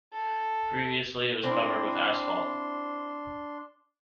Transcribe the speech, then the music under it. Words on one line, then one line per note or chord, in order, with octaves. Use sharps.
Previously, it was covered with asphalt.
A4
C4 D4 E4 C6